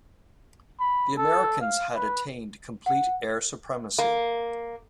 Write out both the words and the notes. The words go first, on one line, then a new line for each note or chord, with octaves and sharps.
The Americans had attained complete air supremacy.
B5
A4
F5
B4
F#5
A#3